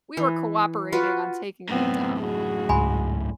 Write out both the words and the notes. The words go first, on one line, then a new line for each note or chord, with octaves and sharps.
We were cooperating on taking them down.
E3
F4 F#4 B4
F#2 A2 B3 C4
F#4 G#4
C#2 G#2 G#5 B5 C6